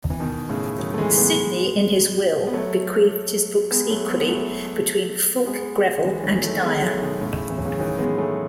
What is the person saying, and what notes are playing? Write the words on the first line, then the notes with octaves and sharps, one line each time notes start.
Sidney, in his will, bequeathed his books equally between Fulke Greville and Dyer.
E3
B2 D#3
A2 C#3
D#3 F#3
A3
E3 G#3
G#3 B3
B3
F#3 A3
G#3 B3
F#3 A3
G#3 B3
B3
F#3 A3
G#3 B3
E3 G#3
D#3 F#3
F#3 A3
G#3 B3
F#3 A3
B2 D#3
A2 C#3
E3
F#3
C#3 E3
D#3 F#3
G#3 B3
F#3 A3